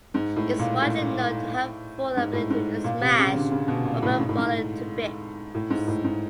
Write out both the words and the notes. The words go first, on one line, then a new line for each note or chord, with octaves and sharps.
Is widely known to have full ability to smash Robert Barlow to bits.
G#2
A2
A#2
A2
G#2
A2
G#2
A#2
C3
C#3
D3
C#3
B2
A#2
A2
G#2
A2
G#2
A2
G#2
A2
G#2